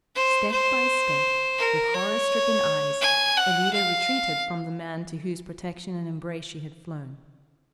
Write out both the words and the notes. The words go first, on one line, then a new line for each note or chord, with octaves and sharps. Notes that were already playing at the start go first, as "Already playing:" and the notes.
Step by step, with horror-stricken eyes, Alida retreated from the man to whose protection and embrace she had flown.
C5
C5
A#4
C#5
G#5
F#5
F5